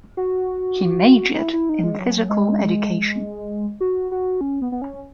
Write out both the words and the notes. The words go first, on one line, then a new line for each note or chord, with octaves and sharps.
He majored in physical education.
F#4
D#4
E4
E4
D#4
G#3
F#3
G#3
F#4
F#4
C#4
B3
B3
C#4